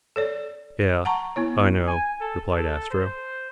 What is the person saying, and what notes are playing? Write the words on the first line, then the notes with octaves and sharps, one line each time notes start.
"Yeah, I know," replied Astro.
A4 C#5 D5
F#5 A5 A#5 C#6
B3 E4 C#5
G#5
A4
A4
C5